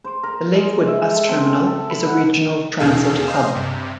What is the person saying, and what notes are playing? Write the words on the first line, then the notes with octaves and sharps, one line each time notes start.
The Lakewood Bus Terminal is a regional transit hub.
C5
A#4
G#3
E5
A4
C4
A4
B5
F#5
E2 B2 D#3 G#4 A4 F5
G#4 C5 D#5 F5
G2 C3